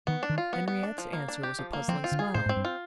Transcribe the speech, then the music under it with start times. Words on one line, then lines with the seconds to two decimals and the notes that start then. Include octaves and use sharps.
Henriette's answer was a puzzling smile.
0.07 D#3 B3
0.23 D4
0.29 D#3
0.38 F4
0.53 B3
0.68 B3
0.83 D4
0.98 F3
1.13 A#3
1.28 D4
1.43 G4
1.59 F3
1.73 A#3
1.88 F3 C4
2.04 F4
2.12 D3
2.19 G#4
2.34 A2 C5
2.46 G#2
2.49 C4
2.56 G2
2.65 F4